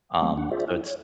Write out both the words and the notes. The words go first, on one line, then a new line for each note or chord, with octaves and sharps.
Um, so it's
F#3 A3 C4
D4 F#5
F4 G#4 C5 D5 E5
E4
C#5